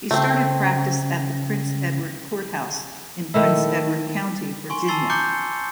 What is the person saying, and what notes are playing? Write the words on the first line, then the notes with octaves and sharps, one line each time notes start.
He started practice at the Prince Edward Court House in Prince Edward County, Virginia.
C#3 A3 C4
D#3 A3 E4
G#5 C6 C#6
A5 B5 E6 A6 C7 G7
A#5 D6 F#6 G6 C#7 G7